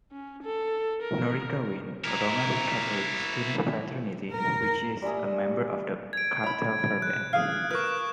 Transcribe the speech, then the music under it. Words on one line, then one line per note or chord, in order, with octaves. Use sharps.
Norica Wien, a Roman Catholic student fraternity, which is a member of the Cartellverband.
C#4
A4
A#4
E4 A#4
A#4
G3 E5 G#5 D#6
G#6 D7
C#5 B5
F#6
G#4 F5 D#6 F6
A#4 B4 C#6 F#6